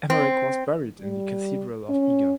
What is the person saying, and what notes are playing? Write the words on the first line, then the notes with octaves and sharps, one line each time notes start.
Emeric was buried in the cathedral of Eger.
C4
G3
C#4